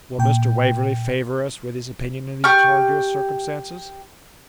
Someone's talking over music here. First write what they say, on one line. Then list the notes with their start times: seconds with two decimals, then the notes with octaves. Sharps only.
Will Mr. Waverley favour us with his opinion in these arduous circumstances?'
0.18 A#2 G5
2.44 G4 C#6 F6